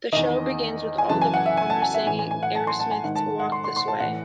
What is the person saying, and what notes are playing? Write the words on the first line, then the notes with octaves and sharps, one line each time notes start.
The show ended with all of the performers singing Aerosmith's "Walk This Way".
E2 D#3 D#5
G#5
F#2 C#3 E3 A5
G#5
F#5
E5
G#5
A5
G#5
E5
A2 E3 G#5
G#5
G#5
F#5
A5
C6
A5
G#5
G#2 D#3 F#5
A5
F#5
C6
C6
C6
A5
A2 E3 F#5